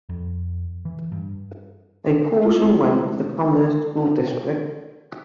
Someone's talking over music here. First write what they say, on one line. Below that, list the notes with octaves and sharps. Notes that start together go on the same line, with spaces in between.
A portion went to the Commerce school district.
F2
E3
G2
G#3 A3 C4 E4 F4